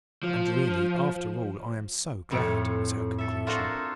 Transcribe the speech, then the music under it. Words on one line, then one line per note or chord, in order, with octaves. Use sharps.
'And really, after all, I am so glad!' was her conclusion.
F3
F2 A2
A4 E5
D4 F4 F#4 A4 A#4 C5